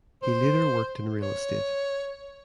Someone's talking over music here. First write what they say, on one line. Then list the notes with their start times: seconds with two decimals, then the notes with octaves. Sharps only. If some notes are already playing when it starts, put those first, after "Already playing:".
He later worked in real estate.
0.22 C5
1.22 C#5